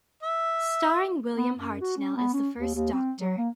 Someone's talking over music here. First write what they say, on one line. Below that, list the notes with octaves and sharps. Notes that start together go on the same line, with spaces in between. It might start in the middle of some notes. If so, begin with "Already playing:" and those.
Starring William Hartnell as the First Doctor.
E5
B3
F#2
F#4
C#4
B3
C#4
D#2
D#2
C4
F#3
A#3